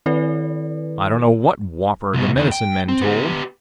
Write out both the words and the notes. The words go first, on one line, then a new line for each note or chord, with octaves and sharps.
I don't know what whopper the medicine men told.
D#3 E4 A4 B4 D5
C2 B2
E2 D#3
G5
C4
B3 G4